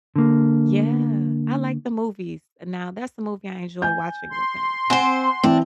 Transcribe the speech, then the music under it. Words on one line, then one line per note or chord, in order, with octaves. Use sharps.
Yeah, I like the movies, now, that's a movie I enjoy watching with him.
D3 A#3
G#5 G6
C6
C4 C5 F#5 G#5
E3 C4 D4